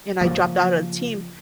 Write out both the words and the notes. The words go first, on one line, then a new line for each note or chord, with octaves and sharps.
and I dropped out of the team,
C#3 F3 A#3